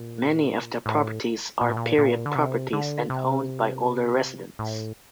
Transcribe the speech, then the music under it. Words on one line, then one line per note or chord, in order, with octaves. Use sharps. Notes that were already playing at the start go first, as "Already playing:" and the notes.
Many of the properties are period properties and owned by older residents.
Already playing: A#2
A2
A#2
A2
A#2
A#2
D3
C3
D3
C3
A2